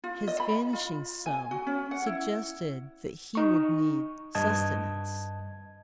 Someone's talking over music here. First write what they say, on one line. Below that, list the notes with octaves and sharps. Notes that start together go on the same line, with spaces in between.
His vanishing sum suggested that he would need sustenance.
F4
D#5
B5
F4
G#5
F#4
C#4
F#5
E4
D#4 C#6
G2 D#5 A5 G#6